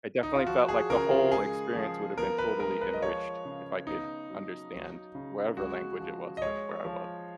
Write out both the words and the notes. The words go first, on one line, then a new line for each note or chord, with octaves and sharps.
I definitely felt like the whole experience would have been totally enriched if I could understand whatever language it was that where I was.
D#4
F4
F3 F#4
G#4
C#3 A#4
F4
G#3 G#4
F3
B3 A#4
B4
G#3 A#4
B4
D#5
F3 C#5
C#3
B3 D#4
F#3
F#3
C#3
G#3 F#4
F3
D#5
G#3 C#5
F3